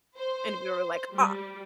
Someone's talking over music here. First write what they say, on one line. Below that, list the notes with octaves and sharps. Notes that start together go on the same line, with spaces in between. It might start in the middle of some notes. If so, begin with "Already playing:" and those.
And we were like, "Ah."
C5
G3